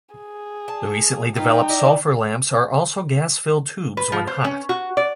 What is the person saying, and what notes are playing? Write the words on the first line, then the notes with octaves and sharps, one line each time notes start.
The recently developed sulfur lamps are also gas-filled tubes when hot.
G#4
A5
D#4 F4 B4 G5
D4 E4 D#5
B4
F3
C5
C#4
F#4
D5